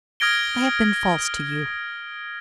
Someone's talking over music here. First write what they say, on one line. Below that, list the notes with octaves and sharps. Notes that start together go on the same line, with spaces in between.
I have been false to you.
D#6 F6 G#6 A#6 D7 G7